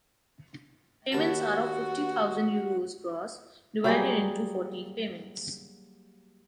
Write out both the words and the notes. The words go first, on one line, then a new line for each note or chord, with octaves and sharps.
Payments are of fifty thousand euros gross, divided into fourteen payments.
D#2 F#4 A5
F#3 G3 A#3 G#4